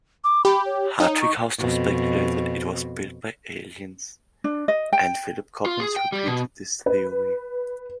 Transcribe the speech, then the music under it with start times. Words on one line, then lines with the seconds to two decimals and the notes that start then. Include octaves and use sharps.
Hartwig Hausdorf speculated it was built by aliens, and Philip Coppens repeated this theory.
0.24 D6
0.45 G4 B5
0.66 C#5
1.00 D#4 C#5
1.21 C#6
1.58 F2 B2
4.44 D4
4.68 D#5
4.93 G5
5.66 F4
5.80 G#4
5.96 G5
6.12 G3
6.27 B2
6.86 B4